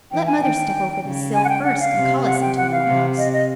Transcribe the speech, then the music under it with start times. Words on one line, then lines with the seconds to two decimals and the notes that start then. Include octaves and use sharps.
Let mother step over the sill first and call us into the Yellow House!
0.11 E3 G5
0.26 G#5
0.42 D#3 G5
1.03 C#3
1.34 G#5
1.44 F#5
1.49 G5
1.64 F#5
1.80 F5
1.95 C3
2.26 F#5
2.41 G5
2.57 F#5
2.72 F5
2.87 C3
3.18 D#5
3.33 D#5